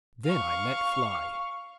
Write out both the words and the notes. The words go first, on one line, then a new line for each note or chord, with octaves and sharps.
Then I let fly....
F5 C#6